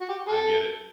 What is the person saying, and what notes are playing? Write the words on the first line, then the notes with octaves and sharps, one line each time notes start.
I get it
F#4
G4
A4